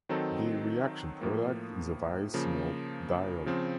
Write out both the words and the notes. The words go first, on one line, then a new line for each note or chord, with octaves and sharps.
The reaction product is a vicinal diol.
D#3 F#3 C4 D#4 A4
A2 F3 A#3
C#3 F3 A#3
C#3 F3 C4